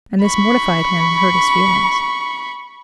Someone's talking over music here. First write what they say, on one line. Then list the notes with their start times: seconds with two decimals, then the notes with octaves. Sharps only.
And this mortified him and hurt his feelings.
0.23 B5 C#6